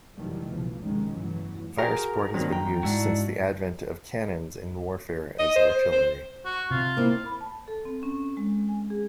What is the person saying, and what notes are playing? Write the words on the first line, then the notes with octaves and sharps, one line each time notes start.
Fire support has been used since the advent of cannons in warfare as artillery.
F1 D#3 E3 F#3 G3 A3
B1 E2 C#3 E3 F3
F1 C#2 C3 D#3 G#3 C#4
E2 G2 E3 F#3 A3
F#4 G#4 A#4 G5
G2 D#3 F#3 A#3 C4 D4
E2 G5 A#5
G#2 D4 E4 F#4
D#5
C5
C5
C5
F#4
C3 F4
A#3 C4 E4
B5
A5
A4
C4
C#4
G#3
G#5
G#4